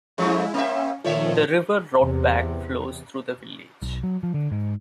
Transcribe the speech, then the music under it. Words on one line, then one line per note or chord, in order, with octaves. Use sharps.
The river Rotbach flows through the village.
F2 F3 G#3 A3 E4
A#3 C4 C#4 E5
A#2 D#3 F3 A3 C#5 E5
E2 C3
B1
F#3
F3
D3
G#2